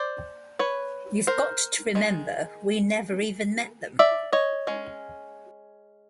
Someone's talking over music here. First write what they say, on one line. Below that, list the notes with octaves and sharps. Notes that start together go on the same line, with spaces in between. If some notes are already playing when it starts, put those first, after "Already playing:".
You've got to remember, we never even met them.
Already playing: C5 D5
B4 C#5
A#4 C5
D#3 G#3
D5 E5
C#5 D#5
G#3 C#4